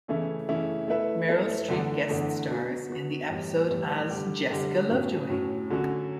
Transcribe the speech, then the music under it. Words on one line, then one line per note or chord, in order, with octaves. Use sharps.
Meryl Streep guest stars in the episode as Jessica Lovejoy.
C#3 E3 A3 C#4 E4
C#3 E3 A3 C#4 E4
A3 E4 B4 E5
A3 E4 B4 E5
E2 D3 A3 D4
E2 D3 A3 D4
F#3 B3 F#4
F#3 B3 F#4
A2 E3 G3 B3
A2 E3 G3 B3
D3 G3 D4 G4
D3 G3 D4 G4
A2 F#3 C#4
A2 F#3 C#4
D3 F#3 C#4 F#4